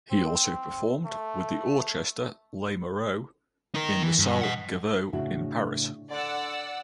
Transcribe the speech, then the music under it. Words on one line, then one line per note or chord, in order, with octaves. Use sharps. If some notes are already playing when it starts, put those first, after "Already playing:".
He also performed with the Orchester Lamoureux in the Salle Gaveau in Paris.
C4
A3
D#4 A#4
E3
G2
D#5 F#5
A2 C#3 D4 E4 F#4
D3 D5 F#5 E6